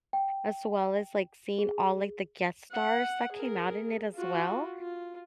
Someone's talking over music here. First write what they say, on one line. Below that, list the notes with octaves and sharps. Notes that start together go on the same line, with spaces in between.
as well as, like, seeing all, like, the guest stars that came out in it as well.
G5
G#4
F#5
G#4 A#4
F4 F#4
F4